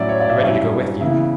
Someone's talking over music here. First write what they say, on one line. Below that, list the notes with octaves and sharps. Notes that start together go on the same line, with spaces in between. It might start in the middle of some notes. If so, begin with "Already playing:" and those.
"I'm ready to go with you."
Already playing: A2 F#3 C#4 E4 D5 E5
C#5
D5
E5
G2 F#3 C#4 E4
C#3 E3 B3 E4 E5